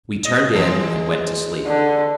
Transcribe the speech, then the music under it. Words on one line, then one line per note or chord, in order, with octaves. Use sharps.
We turned in and went to sleep.
D#5
E3 F3 G#3
D3